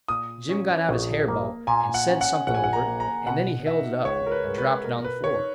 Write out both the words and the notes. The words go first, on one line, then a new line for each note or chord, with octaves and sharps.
Jim got out his hair-ball and said something over it, and then he held it up and dropped it on the floor.
A#2 D#6
C#4
A#1
A#3
A#2 G#5
F#5
C#4
F#5
A#1 F#5
G#5
F#5
A#5
A#3
A#5
B2 F#5
D#4 E5
C#2 C#5
A#4
B4
G#3
B4
B2 A#4
B4
D#4 C#5